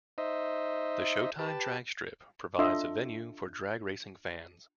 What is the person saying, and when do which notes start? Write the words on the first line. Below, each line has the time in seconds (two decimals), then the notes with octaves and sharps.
The Showtime Dragstrip provides a venue for drag racing fans.
0.18 D#4 C5 D#5 E5
1.39 G4 B4 A5
2.59 D4 F4 A4 D#5 E5 C6